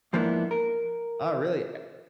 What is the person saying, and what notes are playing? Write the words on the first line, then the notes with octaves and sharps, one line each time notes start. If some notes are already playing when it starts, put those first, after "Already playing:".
Oh, really e
G#2 F3 A#3 B3 D4 E4
A#4